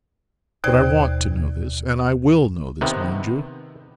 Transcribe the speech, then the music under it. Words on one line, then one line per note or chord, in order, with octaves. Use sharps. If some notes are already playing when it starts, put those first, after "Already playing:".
But I want to know this, and I will know this, mind you.
D#2 B2 C5 D5 G5 G#6
C3 D#3 B3